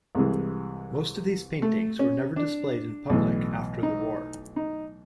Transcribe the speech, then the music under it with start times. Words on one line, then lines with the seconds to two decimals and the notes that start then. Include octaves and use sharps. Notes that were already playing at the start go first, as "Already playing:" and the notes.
Most of these paintings were never displayed in public after the war.
0.15 C2 C3 E3 G#3
1.62 A3
1.99 C#4
2.36 D4
3.10 B1 A2 E3
3.83 D#4
4.56 D#4